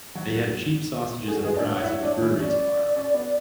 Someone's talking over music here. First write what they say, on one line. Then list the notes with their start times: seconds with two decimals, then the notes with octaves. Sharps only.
They have cheap sausages and fries at the brewery tomorrow.
0.15 F#3 F#4
1.27 G#4 A4
1.36 F#4
1.42 G#3 G#4 B4
1.56 D4 C#5 D5
1.65 B4
1.70 C#5
1.77 F#5
1.83 E4 E5
2.02 D4 D5
2.21 E3 E4
2.40 C#4 D5
2.96 C#4
3.14 B3